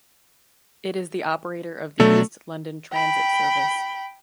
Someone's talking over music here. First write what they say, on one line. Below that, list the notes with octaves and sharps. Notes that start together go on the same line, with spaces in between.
It is the operator of the East London Transit service.
B2 F#3 A3 D4 A4
G5 B5